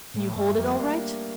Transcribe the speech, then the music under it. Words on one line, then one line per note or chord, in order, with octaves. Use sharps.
"Can you hold it all right?"
A2
G2 A3
F2 G3 A#3
A#3 D4